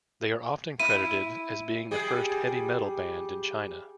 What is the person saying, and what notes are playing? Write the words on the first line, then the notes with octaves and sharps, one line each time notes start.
They are often credited as being the first heavy metal band in China.
E4 D#7
G3 G#4